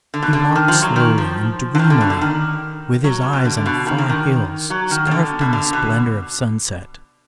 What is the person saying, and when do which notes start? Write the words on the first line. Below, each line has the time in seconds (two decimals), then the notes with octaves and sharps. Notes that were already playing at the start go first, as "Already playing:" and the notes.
He walked slowly and dreamily, with his eyes on the far hills scarfed in the splendour of sunset.
0.14 D3
0.22 B2
0.33 D3
0.56 D#3
0.68 F3
0.82 F#3
0.96 D#3
1.18 F3
1.75 D3
1.79 D#3
1.90 D3
2.01 B2
2.10 D3
2.21 D#3
3.04 F#3
3.33 B2
3.45 D3
3.57 D3
3.66 B2
3.87 D#3
3.98 D3
4.09 D#3
4.70 F#3
4.91 D#3
5.07 B2
5.11 D3
5.41 B2
5.53 D3
5.73 B2